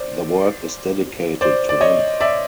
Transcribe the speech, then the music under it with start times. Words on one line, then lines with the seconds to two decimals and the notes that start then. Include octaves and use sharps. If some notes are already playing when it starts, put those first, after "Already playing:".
The work is dedicated to him.
Already playing: C5 D5
1.41 C5 D5
1.69 D5
1.81 C#5 D#5
2.21 D5 E5